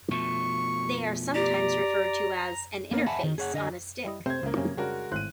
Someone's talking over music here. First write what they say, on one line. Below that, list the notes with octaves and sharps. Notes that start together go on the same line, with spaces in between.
They are sometimes referred to as an "interface-on-a-stick".
B2 F3 A3 C#6
G4 D5 A#5
A#3 B3 A#4 C#5
E5 F#5 G#5 A5 B5
D#3
G#4 C#5 F#5
D3 D#5 F5 G#5
G3 E4 D#5
C3 A3 C4 C5 G#6
C#2 C#3 A#3
F#2 C3 C#4
C#3 G3 G#3 D4 F#4 A#4
G#1 A2 C5 F#6 D#7